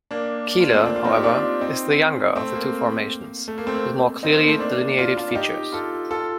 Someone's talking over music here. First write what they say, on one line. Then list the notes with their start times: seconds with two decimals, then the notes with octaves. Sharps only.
Keeler, however, is the younger of the two formations, with more clearly delineated features.
0.11 A#3 D4
0.60 D4 F4
0.73 A3 C4
0.85 A#3 D4
0.96 F4
1.04 C4 D#4
1.15 G4
1.23 D4 F4
1.61 C4 D#4
2.35 A3 C4
2.55 A#3
3.48 A3
3.58 A#3
3.67 A3 C4
3.76 A#3
4.23 C4 D#4
4.36 A#3
4.48 A3 C4
4.60 A#3 D4
4.98 D4 F4
5.17 D4 F4
5.31 F4
5.35 D#4 G4
5.72 F4 A4
6.10 F4 A4